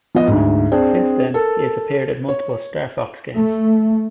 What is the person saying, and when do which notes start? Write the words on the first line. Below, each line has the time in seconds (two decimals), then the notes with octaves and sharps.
Since then, he has appeared in multiple "Star Fox" games.
0.15 F3 B3 D#5
0.27 D2 G#2
0.72 C4 D4 G#4 C5
1.34 A4 A#4
2.28 C#5
3.35 A3